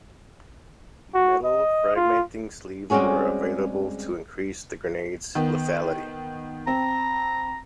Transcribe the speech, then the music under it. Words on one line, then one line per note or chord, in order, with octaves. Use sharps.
Metal fragmenting sleeves were available to increase the grenade's lethality.
F#4
D#5
F4
G3 G#3 C4 C#4 F#4 G#4
D#3 B3
C4 A#5